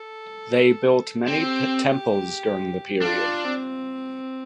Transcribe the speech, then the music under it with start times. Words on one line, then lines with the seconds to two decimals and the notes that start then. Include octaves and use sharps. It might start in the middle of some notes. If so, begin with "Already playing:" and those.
They built many temples during the period.
Already playing: A4
1.27 C4 G4
3.01 D4 F4
3.45 C4